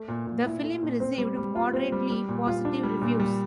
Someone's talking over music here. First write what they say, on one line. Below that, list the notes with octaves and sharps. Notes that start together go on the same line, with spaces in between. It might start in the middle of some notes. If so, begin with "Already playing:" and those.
The film received moderately positive reviews.
Already playing: A3
A#2
A#2
E4
A3
A#2
C4
G3
G3
F4
C4
G3
G3
A#2
F4
D4
G3
A#2
G3